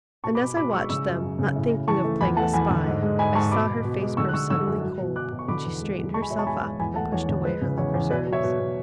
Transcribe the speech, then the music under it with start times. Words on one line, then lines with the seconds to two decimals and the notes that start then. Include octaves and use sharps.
And as I watched them--not thinking of playing the spy--I saw her face grow suddenly cold, and she straightened herself up and pushed away her lover's arms.
0.24 B2 A5 C#6
0.35 B5 D6
0.40 B2
0.56 B2 B5 D6
0.73 G#3 C#6 E6
0.89 C#3 C#6 E6
1.06 F#2
1.22 F#2
1.39 C#3
1.55 A2
1.71 A2
1.88 E3 A5 C#6
2.04 A3
2.21 E2 G#5 B5
2.37 A3 F#5 A5
2.54 E2 G#5 B5
2.70 D3
2.86 G#2
3.03 G#3
3.19 G#2 G#5 B5
3.35 G#2 A5 C#6
3.52 B2 B5 D6
3.68 B2
3.84 B2
4.01 G#3
4.17 D3 C#6 E6
4.28 F#6
4.33 D3 C#6 E6
4.50 D3 C#6 E6
4.67 F#2
4.83 F#3
4.99 B2
5.16 F#3 D6 F#6
5.32 B2
5.39 C#6
5.48 D3 B5 D6
5.65 E2
5.81 G#3
5.98 E2
6.14 G#3 A5 C#6
6.22 G#5 B5
6.30 B2 C#5 E5
6.39 A5 C#6
6.47 G#3 G#5 B5
6.63 G#3
6.79 E2 G#5 B5
6.96 A3 F#5 A5
7.12 E2 C#5
7.29 D3 C#5
7.45 G#3 B4
7.62 C#3
7.78 E2 C#5
7.94 E2
8.10 B2 B4 D5
8.27 F#3
8.33 C#5 E5
8.44 B2
8.60 B2